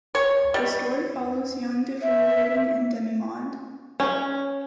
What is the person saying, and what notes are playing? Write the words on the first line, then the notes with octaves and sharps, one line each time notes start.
The story follows young DiFool living in demimonde.
C#5
G3
E5
C#4